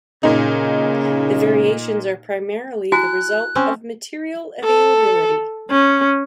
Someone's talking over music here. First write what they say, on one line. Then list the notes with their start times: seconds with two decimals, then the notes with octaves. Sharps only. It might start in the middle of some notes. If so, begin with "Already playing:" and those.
The variations are primarily the result of material availability.
0.23 A#2 C#3 D#4
2.92 E4 F#4 G#5 F#6
3.55 C4 C#4 C5
4.64 A4
5.71 C#4